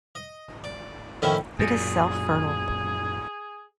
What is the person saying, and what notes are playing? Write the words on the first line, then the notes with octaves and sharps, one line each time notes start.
It is self-fertile.
D#5
D5
A2 D#3 F3 A#3 C#4 E4
F#2 A#2 G#4